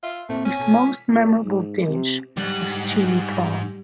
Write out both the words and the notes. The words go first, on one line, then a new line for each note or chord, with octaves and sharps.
His most memorable dish was Chili Prawns.
F4 E5
A#2 A3 C4 E4
C#4
B2 A4 G#6
B6
A#2
G#2
C3
G#2 G3 F#5